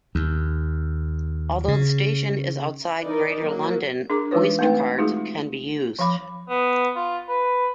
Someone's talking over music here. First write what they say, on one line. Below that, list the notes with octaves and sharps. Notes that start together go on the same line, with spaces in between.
Although the station is outside Greater London, Oyster cards can be used.
D#2
C#3
E3 D#4 A#4 D5 D#5
F#3 A#3
D4 G#4 A#4 A#5 D6
E3 G#3 D#4 F4 B4 C#5
A3 C4 D#4 B4 G5
G#3 A3 D#4 F4 F#4 G#4
F3 C#5 F5 B5 D6
B3
F4
B4